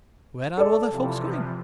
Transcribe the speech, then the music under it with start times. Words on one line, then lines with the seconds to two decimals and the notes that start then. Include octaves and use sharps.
"Where are all the folks going?"
0.58 A4 D5
0.90 C3 E3 F3